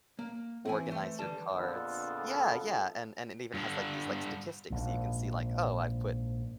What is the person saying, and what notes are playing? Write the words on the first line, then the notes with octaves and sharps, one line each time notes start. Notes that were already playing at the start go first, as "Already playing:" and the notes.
organize your cards Yeah, yeah and and it even has, like, these, like, statistics so you can see, like, "Oh, I've put
A#3
E3 C4 E4 G#5
A3 C5
D3 E3 G3 A5
A#1 F2 D3 B3 F4 A4
G2 D3
A#1 G#2